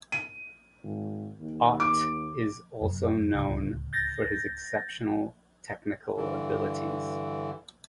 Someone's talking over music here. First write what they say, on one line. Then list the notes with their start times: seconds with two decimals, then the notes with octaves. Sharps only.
Ott is also known for his exceptional technical abilities.
0.12 D#7
0.83 G#1
1.39 D#2
1.80 D6
2.81 F1 F#2
3.34 D1 C#2
3.93 G6 A6 A#6
6.17 G2 D3 E3